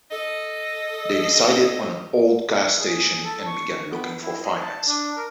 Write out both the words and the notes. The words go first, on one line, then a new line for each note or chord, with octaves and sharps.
They decided on an old gas station and began looking for financing.
A4 D#5
G#4
A4
C#6
B3
E4
D#5
A5
D4
A#4